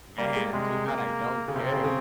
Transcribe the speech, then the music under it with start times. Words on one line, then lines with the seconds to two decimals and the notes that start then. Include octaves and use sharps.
Man, too bad I don't care.
0.18 G3 A#3
0.36 G#3
0.53 C3 G#3
0.87 A#3
1.48 C#3
1.55 C3 C4
1.72 C#3
1.84 C#3